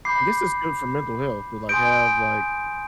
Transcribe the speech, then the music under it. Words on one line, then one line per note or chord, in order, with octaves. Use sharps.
I guess it's good for mental health to, like, have, like,
B5 D6 G6 C7
G#5 C6 D#6 G6 D7
D7